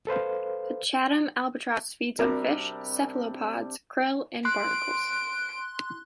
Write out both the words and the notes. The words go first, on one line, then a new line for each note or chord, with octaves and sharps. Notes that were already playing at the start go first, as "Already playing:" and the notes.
The Chatham albatross feeds on fish, cephalopods, krill, and barnacles.
A4 B4 C5 F5
C3 G3 C4 D4 F#4 A#4
C6 F#6 D7